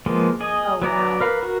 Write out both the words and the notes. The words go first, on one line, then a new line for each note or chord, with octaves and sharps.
Oh, wow.
F3 G#3 A#3 B3
G#4 D#5
F#3 B3 D5 A#5
A#4 B4 F5
F#4 A#4